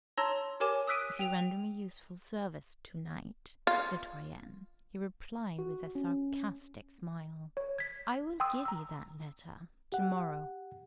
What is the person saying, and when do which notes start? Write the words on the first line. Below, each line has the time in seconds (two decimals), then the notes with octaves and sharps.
"If you render me useful service to-night, citoyenne," he replied with a sarcastic smile, "I will give you that letter . . . to-morrow."
0.18 C#5 A5 A#5 C6 E6 A#6
0.60 G4 A#4 C#5 G#5 D6 E7
0.87 D#6 E6 F#6 B6 D7 D#7
1.19 G5 F7
3.67 F4
5.59 F#4
5.95 C#4
7.57 C#5
7.78 G#6 B6
8.40 G5 C6 D#6 E6
8.65 A#5 E6
9.92 G4 F#5